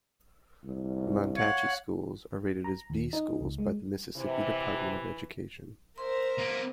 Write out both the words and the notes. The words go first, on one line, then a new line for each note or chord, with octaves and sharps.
The Mantachie Schools are rated as "B" schools by the Mississippi Department of Education.
C2
C#5 F5 F#5
A#5
D#2
D#4
C#2
G#3
C3 E3
A#4 C5 E5 C6
A#3 B3